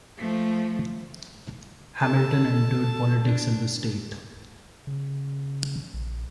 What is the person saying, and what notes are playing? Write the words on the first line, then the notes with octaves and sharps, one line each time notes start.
Hamilton entered politics in the state.
F3 A3
A4 A5
D4 A#4
C#3
A#1